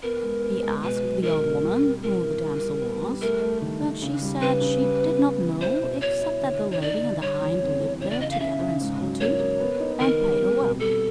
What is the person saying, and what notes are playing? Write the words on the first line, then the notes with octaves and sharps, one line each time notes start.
He asked the old woman who the damsel was, but she said she did not know, except that the lady and the hind lived there together in solitude, and paid her well.
B3 A#4
G#3
B3
G#3
B2 B4
F#3
D#4 A#4
B2
G3
C4
E3 A#4
E3
G3
G3
B3
G3
A3 A#4
A3
D#3
D#3
C#3
G3
C#3 B4
C#3
G3
B3
G3
B3
E4 C5
B2
B2 C#5
E4
D3
D#4
C#5
D#4 D5
D3
G3 C#5
E2
C4
E2
C#3 C#5
D5
C#3 D#5
F5
C#3 E5
C#3
G#2
F#3
A#3 C#5
A#3
B3
D#4
D#3 A#4
G3
C4
B2
G3 A4